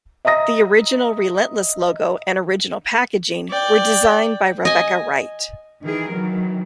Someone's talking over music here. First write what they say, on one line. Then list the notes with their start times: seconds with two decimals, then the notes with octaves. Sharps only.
The original Relentless logo and original packaging were designed by Rebecca Wright.
0.25 D#5 E5 A#5 D#6 A#6
3.50 D5 G5
4.65 D#5 G#5
5.83 D#3 E3 G#4 A#4
6.13 D#3 E3 F#3